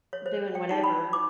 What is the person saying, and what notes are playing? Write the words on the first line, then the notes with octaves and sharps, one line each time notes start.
doing whatever,
C#5
C5
G5
D#4
B5
D6